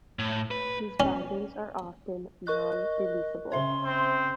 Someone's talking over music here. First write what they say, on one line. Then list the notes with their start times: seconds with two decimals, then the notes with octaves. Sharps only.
These bindings are often non-releasable.
0.19 A2
0.51 B4
1.00 C#4
2.47 A#4 D#5 C#6 F#6
3.52 C#3 C5 E5 C6
3.85 C4